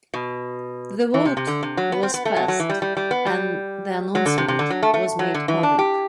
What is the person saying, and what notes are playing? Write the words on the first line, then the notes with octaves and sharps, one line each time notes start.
The vote was passed and the announcement was made public.
B2
E3
C3
C3
D3
C3
F#3
B3
C4
B3
A3
F#3
F#3
E3
G3
G3
G3
B3
G3
F#3
D3
C3
C3
D3
F#3
A3
A3
F#3
D3
E3
D4
G4